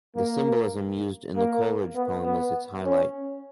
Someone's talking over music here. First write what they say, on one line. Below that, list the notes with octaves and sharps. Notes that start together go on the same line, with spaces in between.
The symbolism used in the Coleridge poem is its highlight.
A#3
A#3
B3
B3
C#4